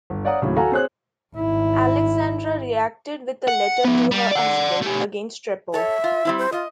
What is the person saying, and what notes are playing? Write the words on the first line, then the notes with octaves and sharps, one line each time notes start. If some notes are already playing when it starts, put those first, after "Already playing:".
Alexandra reacted with a letter to her husband against Trepov.
G1
C#5 D5 F5 F#5 A#5 D#6
D#2 A2 C#3 F#3
F#4 A4 F5 F#5 G#5 A#5
C4 G#4 C5 C#5 F#6
G#1 E4
F#5
F3 B3
G3
D5 F#5
A3 G4
A4 C#5 E5
F4
G3 C4 E4
C5
F4 D#5